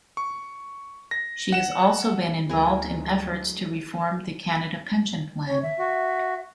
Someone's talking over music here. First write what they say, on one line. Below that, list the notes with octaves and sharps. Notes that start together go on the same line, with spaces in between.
She has also been involved in efforts to reform the Canada Pension Plan.
C#6
A#6
F#5 E7
D2 F#3 G#3 E4 G#4 A#4
C#5
E5
F#4